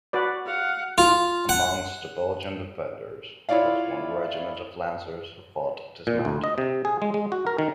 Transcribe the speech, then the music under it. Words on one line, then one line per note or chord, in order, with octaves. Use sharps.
Amongst the Belgian defenders was one regiment of lancers who fought dismounted.
F#4 B4 D5
F5 F#5
F4
F#5
E4 F4 C#5 D5 F5
A#2
D2
D#5
C3
G#4
G#3
G#3
F#4
A#4
D#3